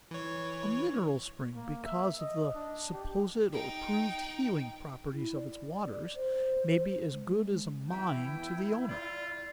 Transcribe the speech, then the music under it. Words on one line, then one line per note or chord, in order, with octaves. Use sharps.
A mineral spring, because of the supposed or proved healing properties of its waters, may be as good as a mine to the owner.
E3 C#5
A#3
E5
D#5
D4
G4
D#4 G5
E4
D5
C5
G#3
E2 E4 E5 G5
F4 D5